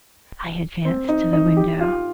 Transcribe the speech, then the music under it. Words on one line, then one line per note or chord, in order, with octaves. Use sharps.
I advanced to the window.
C4
D#4
D#4
G4
F4